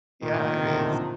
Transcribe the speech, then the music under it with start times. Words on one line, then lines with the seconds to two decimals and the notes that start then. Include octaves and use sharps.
Yeah, it is.
0.22 A#2 D#3
0.34 A2
0.45 A#2
0.56 C3
0.65 D3
0.74 C3
0.83 D3
0.90 F3